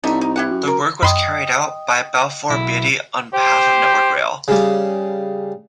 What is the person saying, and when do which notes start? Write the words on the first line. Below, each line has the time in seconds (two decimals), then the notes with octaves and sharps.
The work was carried out by Balfour Beatty on behalf of Network Rail.
0.04 C2 D3 A3 D#4
0.21 D#4
0.36 E4 G4 F#5
0.51 F#2
0.67 A#4
1.03 F#2 D#5 G5 B5 C6 D#6
2.50 B1 E4
3.34 G4 C5
4.48 C#3 G3